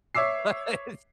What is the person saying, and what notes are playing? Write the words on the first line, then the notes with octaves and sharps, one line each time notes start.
but it is
C#5 E5 D6 E6 C7